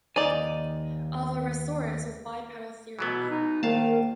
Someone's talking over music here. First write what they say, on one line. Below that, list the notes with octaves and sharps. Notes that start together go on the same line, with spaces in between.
"Alvarezsaurus" was bipedal theropod.
D#2 D#4 D5 G#5
B2 E3 F#3 B3
D#4
A#1 D#3 A#3 A#4 F5 A5